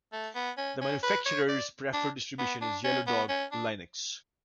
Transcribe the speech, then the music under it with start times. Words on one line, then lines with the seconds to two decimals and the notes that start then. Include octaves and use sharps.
The manufacturer's preferred distribution is Yellow Dog Linux.
0.13 A3
0.35 B3
0.57 C#4
0.81 C#4
1.03 B4
1.26 C#5
1.49 D5
1.93 D4
2.39 B3
2.62 D4
2.84 C#4
3.07 B3
3.29 C#4
3.52 D4